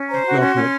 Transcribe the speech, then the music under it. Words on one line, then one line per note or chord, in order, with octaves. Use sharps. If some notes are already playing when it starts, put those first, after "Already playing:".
Well put.
Already playing: C#4
C5 A#5
F#4
C#4 C6
C#4